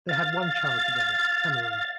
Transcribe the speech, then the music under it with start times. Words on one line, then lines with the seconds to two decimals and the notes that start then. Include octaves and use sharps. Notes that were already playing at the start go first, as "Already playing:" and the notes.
They had one child together, Cameron.
0.09 F5 A6